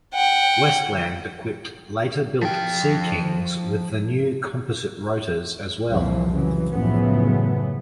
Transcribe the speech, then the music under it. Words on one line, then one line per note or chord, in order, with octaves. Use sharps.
Westland equipped later-built Sea Kings with the new composite rotors as well.
F#5 G5
F3 G5
C2 F2 A#2 E3 F3
C#3 E3 F#3
F#2 A2 C#3 E3 F3 B3